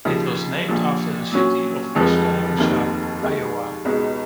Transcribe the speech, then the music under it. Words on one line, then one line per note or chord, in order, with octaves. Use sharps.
It was named after the city of Oskaloosa, Iowa.
D#2 C#3 F3
A#1 A#2 F3
A#2 F#3 C#4
F1 F2 F3 G#3
F1 D#2 D#3 A#3
D#2 D#3 G#3
C#2 B2 G#3 D#4